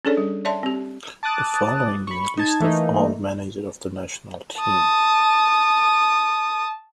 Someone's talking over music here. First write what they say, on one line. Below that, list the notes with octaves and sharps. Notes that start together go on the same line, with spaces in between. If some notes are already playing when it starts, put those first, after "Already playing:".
The following is a list of all managers of the national team.
C#4 D4 G#4 A4 C#5 D5
G3
C#5 D5 E5 A5 C6
C4 G4
A5 D6 D#6 F#6 A6
B5 C#6
D#4 A5 G#6
E3 A3 A#3 D#4
A5 D#6